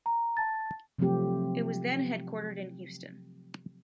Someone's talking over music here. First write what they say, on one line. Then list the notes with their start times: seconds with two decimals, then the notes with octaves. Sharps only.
It was then headquartered in Houston.
0.06 A#5
0.37 A5 A6
0.99 C3 F3 F#3 A3 C4 G4